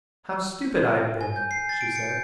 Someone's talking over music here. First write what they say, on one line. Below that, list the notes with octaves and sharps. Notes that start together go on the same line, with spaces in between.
"How stupid I have been," she said.
G#5
G6
C7
A6
D7
C#7
G6